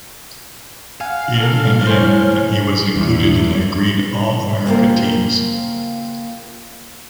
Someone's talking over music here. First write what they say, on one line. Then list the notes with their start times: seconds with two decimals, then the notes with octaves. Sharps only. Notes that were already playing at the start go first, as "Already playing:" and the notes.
In and in and he was included in the agreed All-America teams.
1.01 F5 F#5 G#5
1.40 A4 A#4
1.87 A2 C5 C#5 G#5
2.96 E2
4.66 C#3 A#3 C4 F4 A#4